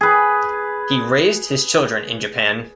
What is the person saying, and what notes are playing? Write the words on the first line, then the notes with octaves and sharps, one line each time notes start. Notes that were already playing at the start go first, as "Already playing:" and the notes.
He raised his children in Japan.
G#4 B4